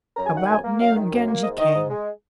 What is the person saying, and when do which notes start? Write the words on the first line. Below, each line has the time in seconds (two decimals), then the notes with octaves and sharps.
About noon Genji came.
0.17 F#2 A#5
0.27 G#5
0.33 D#3 F#5
0.46 F#2 G#5
0.64 A#3
0.81 F#2 F5
0.96 D#3
1.12 F#2
1.28 A#3
1.43 G#2 D#5
1.59 D#3 D#5
1.75 G#2
1.90 G#3